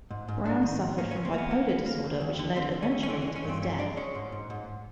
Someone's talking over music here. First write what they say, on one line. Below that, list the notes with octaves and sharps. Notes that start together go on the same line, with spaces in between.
Brown suffered from bipolar disorder which led eventually to his death.
G#2
G#2
G#2 D4
D#3
G#2
A#3 C#4
C#4
C#2
C4
A#3 B3
A#3
A#3
A#3
D#2
D#2
D3
D3 C4
D#2
C#4
D#2
C#4
E3 C4
C#4
G#3
C#4
G2
C4
E3 C#4
G#3 D4
G#3 C#4
G#2
G#2
G#2